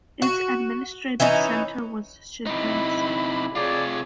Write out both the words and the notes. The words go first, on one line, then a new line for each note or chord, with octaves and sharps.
Its administrative centre was Shadrinsk.
F#4
E3 C#4 D#4 E4
C3 D#4 E4 B5
C3 F4 G#4 C#5 D5